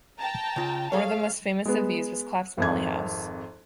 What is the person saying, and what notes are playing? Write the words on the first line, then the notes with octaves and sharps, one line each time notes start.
One of the most famous of these was Clap's molly house.
G5 A5 A#5
C#3 F4
G#4 A4 C#5 F5
G#3 B3
G#1 F2 G#6